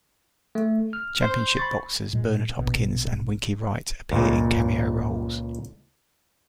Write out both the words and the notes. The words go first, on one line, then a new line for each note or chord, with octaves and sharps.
Championship boxers Bernard Hopkins and Winky Wright appear in cameo roles.
A3
F6
C5
B5 C#6 A6
A#2 G#3
A#1 B2
C#2 A#2